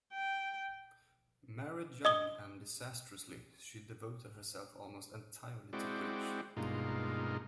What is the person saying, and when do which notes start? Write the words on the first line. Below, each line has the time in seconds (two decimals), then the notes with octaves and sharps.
Married young, and disastrously, she devoted herself almost entirely to bridge.
0.13 G5
2.05 D#5 D#6 G7
5.73 G#3 C4 E4 F#4 D5 G5
6.57 G2 B2 G#3 A#3 D#4 F4